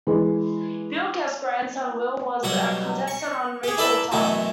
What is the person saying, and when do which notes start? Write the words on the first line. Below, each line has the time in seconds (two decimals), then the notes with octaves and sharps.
Bill Guest's grandson, Will, was a contestant on "Reach for the Top".
0.07 E3 G#3
2.43 B2 F#3 G3 F#5
3.08 C#6
3.63 G4 G#4
3.78 E4 A4 B4 D5 E5
4.12 F#2 B2 E3 F#3 A3 C4